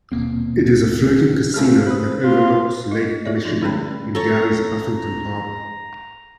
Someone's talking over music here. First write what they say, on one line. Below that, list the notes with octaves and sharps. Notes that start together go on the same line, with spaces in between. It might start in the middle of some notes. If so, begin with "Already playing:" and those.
It is a floating casino that overlooks Lake Michigan in Gary's Buffington Harbor.
D#1 B2 A#3 C4
C#2 C3 A3 F6
B4 C5 D#6
F4
F4 D#5
F4 G#4 A4 C#5 D5 E5
F3 D#4 D5
D3 G#3 A3 C#4 G5 B5
A4 C#5 A#5